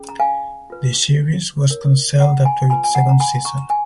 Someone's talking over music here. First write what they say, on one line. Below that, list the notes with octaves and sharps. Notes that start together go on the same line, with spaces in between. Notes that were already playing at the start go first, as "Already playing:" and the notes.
The series was cancelled after its second season.
Already playing: C#4 G#4
A#5
F5 G#5
F4 B4
D#4 A#4 C#5
F#5 A#5
G#5 B5
F4 B4 G#5 B5
G#5
F#5 A#5
A#5
G#5 B5
A#5 C#6
G#5